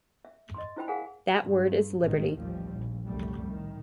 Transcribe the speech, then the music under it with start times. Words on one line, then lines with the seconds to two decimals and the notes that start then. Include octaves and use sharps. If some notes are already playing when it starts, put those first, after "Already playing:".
That word is Liberty.
0.25 E5
0.54 D#5 C6
0.76 E4 F4 C5 E5 G5 B5
0.88 G#4 A#4 F5 F#5 G#5
1.41 G2
2.02 A1 G#2 D#3
2.38 A1 D#2 F3 G3
2.74 A#1
3.06 F1 C2 F#2 C#3 G3 A3
3.46 A2 D#3